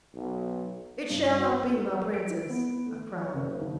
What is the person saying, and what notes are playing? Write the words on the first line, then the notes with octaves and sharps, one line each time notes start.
"It shall not be, my princess," I cried.
B1
G2
F#4
A#4
D7
E4
B3
A3
C#5
F#1
D#2